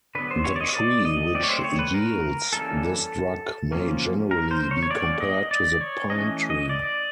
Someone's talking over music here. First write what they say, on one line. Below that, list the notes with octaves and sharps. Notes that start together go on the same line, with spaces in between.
The tree which yields this drug may generally be compared to the pine tree.
D3 F#3 B3 B4
C5
C#5
D5
D#5
D5
D#5
F#3 A3 C4 D5
C#5
C5
C#5
B4
A#4
E3 G3 A#3 C#4 A4
F3 A#3 C#4
A#4
C5
C#5
C#5
F#3 A#3 C#4 D5
D#5
D5
C#5
E3 A3 C#4 D#5
D#5
D5